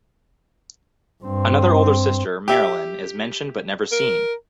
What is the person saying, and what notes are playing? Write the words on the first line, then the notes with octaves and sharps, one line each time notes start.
Another older sister, Marilyn, is mentioned but never seen.
G2 C4
G4 E5
A#4